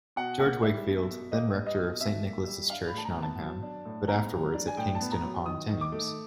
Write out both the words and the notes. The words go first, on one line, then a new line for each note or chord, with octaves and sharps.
George Wakefield, then rector of Saint Nicholas' Church, Nottingham but afterwards at Kingston-upon-Thames.
B2 F#5
A#3 F#5
G3 E5
B2
B2
A#3 D#5
G3
D#5
B2
B2 E5
A#3
G3
D4 F5
B5
A2 A5
A#5
B3
A5
F#3
D4
A2
B3 A#5
F#3
D4
G#5
A2 G5
A5
B3
A#5
F#3
D#3 D#6
D#3
D6
A3